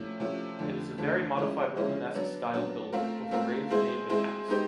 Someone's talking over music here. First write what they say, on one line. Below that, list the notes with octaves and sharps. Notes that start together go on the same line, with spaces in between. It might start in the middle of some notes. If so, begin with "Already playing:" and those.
It is a very modified Romanesque-style building, with a raised nave and apse.
Already playing: C3 F3 A3 C#4 E4
C3 F3 A3 C#4 E4
F2 D3 F3 A3 D4
F2 D3 F3 A3 D4
F3 G#3 C#4 E4
F3 G#3 C#4 E4
F#3 B3 D4
F#3 B3 D4
A3 C4 F4 A#4
A3 C4 F4 A#4
G#3 C4 E4 G#4 C5
G#3 C4 E4 G#4 C5
G#3 B3 D#4 G4 C5